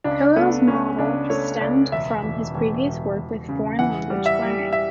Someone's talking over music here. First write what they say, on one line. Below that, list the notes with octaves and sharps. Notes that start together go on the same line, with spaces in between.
Carroll's model stemmed from his previous work with foreign language learning.
C#2 D4
A3 B3
C#2 C#4
C#2 D4
A3 C#5
C#2 D5
E1 E5
E1
E1
E1
E1
C#3
E3 F#5
G3
E5
G3
E5